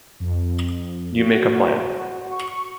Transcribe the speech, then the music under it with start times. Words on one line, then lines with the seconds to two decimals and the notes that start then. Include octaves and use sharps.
You make a plan.
0.20 F2
1.18 F#4
2.31 C#6